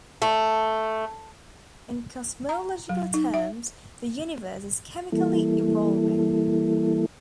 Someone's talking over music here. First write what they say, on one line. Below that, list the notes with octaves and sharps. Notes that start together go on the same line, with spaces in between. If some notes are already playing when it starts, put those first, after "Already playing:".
In cosmological terms, the universe is chemically evolving.
A3
A#5
F#3
D#4
E5
E3 G3 A#3 E4 A4